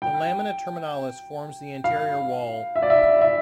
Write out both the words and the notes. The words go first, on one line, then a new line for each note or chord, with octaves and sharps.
The lamina terminalis forms the anterior wall.
G5
F5
E5
D5
E5
E5